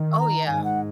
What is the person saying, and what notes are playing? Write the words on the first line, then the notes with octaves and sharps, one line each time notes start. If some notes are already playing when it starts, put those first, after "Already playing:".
Oh, yeah.
Already playing: D#3
C#6
A#5
G#2 G#5
F#5